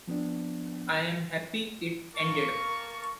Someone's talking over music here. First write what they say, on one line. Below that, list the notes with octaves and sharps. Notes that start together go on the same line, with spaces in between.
I am happy it ended.
F3 B3 C4 D4
A#3 A#4 A5 C#6